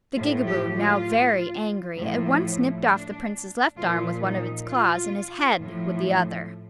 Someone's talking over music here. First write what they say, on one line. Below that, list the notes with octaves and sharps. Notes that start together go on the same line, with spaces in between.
The Gigaboo, now very angry, at once nipped off the Prince's left arm with one of its claws, and his head with the other.
A2 F3 F4
G4
F4
A2 F3
D4
A#2 F3 F4
D#4
F4
A2 F3